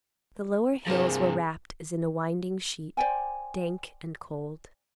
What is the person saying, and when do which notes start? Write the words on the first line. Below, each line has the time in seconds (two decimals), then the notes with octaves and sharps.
The lower hills were wrapped as in a winding sheet; dank and cold.
0.87 G2 C3 F3 A#3 G#4
2.97 C5 D5 G5 G#5